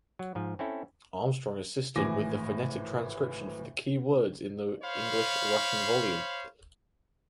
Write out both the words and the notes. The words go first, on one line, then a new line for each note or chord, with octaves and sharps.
Armstrong assisted with the phonetic transcription for the keywords in the English–Russian volume.
F#3
G#2 F3
C4 C#4 E4 A4
G#1 A2 E3 G#5 D6 A#6
C5 C#5 F5 B5